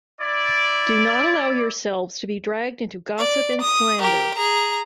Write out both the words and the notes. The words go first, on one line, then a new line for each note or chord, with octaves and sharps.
Do not allow yourselves to be dragged into gossip and slander.
E4 D5
D5
D#6
G4 A#4
G#4 A#5